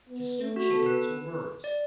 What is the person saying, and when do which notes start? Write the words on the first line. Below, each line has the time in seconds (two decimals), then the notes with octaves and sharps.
To Stew Chickens or Birds.
0.09 B3
0.40 A3
0.56 F#4
0.71 B3 A4
0.86 B4
1.64 D5